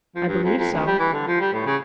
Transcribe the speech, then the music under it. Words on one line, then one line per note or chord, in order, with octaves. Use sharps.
"I believe so."
F3
G2
F2
F2
D2
G3
E3
D3
F3
G3
A2
C#3